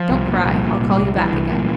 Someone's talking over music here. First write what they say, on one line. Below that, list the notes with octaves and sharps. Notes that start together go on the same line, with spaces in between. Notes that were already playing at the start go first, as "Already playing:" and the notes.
"Don't cry, I'll call you back again."
Already playing: F3
C2
A#2
C2
A#2
C2
C2
C2 E3
C2
A#2